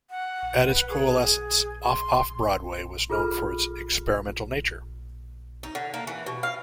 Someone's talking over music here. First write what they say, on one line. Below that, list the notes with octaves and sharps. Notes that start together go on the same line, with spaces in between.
At its coalescence, Off-Off-Broadway was known for its experimental nature.
F#5
B4
G#4
G#4
C6
F4 G#4 A4 B5 F6
D#4
D3
A#3
E3
B2
F5